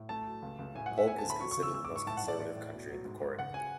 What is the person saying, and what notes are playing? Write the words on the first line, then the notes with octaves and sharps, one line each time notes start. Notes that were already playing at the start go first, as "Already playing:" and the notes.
Polk is considered the most conservative county in the corridor.
Already playing: A2
A3 A5
F#3
C#2
C#2
A2 G#5
F#5
A2
E5
B3 G#5
A5
D2
B5
F#3 C#6
C#6
C#3
E6
G#3 E6
D6
G#2
C#6
A2 A5
F#5
A2 D5
E3 D5
A2
B2
F#3
G#2
G#2
C#3 F#5
G#5